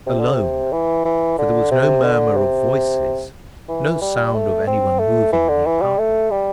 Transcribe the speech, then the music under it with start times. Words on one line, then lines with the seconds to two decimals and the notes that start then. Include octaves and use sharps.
Alone; for there was no murmur of voices, no sound of any one moving in the apartment.
0.06 C3
0.20 D3
0.33 C3
0.72 E3
1.05 E3
1.38 D3
1.71 C3
2.04 D3
2.37 C3
3.69 E3
4.01 G3
4.34 A3
4.67 C4
4.99 A3
5.33 E3
5.49 D3
5.66 E3
5.82 G3
5.98 A3
6.31 G3